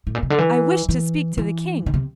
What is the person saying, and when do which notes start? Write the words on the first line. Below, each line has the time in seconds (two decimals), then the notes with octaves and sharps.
I wish to speak to the King.'
0.07 A2
0.15 A#2
0.23 C3
0.30 D3
0.38 E3
0.89 E3
1.38 E3
1.86 D3
1.94 C3